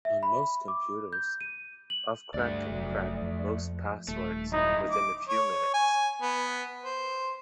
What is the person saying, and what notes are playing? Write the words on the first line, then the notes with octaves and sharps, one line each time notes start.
On most computers, ophcrack can crack most passwords within a few minutes.
E5
B5
D6
G6
D#7
F#7
D2 G2 A3 D5
F1 F#3
F2
D#1 A3
F#2 D#4 E4
D6
C#5
G#5
B3
C5